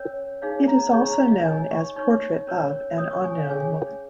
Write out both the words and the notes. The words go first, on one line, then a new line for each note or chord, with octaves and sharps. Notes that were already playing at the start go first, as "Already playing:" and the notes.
It is also known as Portrait of an Unknown Woman.
Already playing: C#4 A#4 C#5
D#4 G#4 C#5 F5
A#5
D#4 G#4 C#5 C#6
A#5
F5
D#5
D#4 C#5 G#5
C#6
D#4 C#5 C#6
C#4 A#4 C#5
C#4 A#4 C#5 D#6
C#6
G#5
F5
C#4 G#4 C#5 G#5